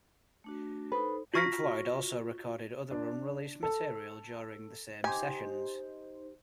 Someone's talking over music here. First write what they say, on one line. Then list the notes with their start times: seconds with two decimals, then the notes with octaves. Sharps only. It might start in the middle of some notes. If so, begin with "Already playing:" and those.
Pink Floyd also recorded other unreleased material during the same sessions.
0.44 A3 D4 F#4
0.92 D#4 A4 B4 C5
1.34 F4 F#4 C#6 F6 A#6 B6
2.91 D4
3.63 A4
5.04 D#4 G4 C5 G#5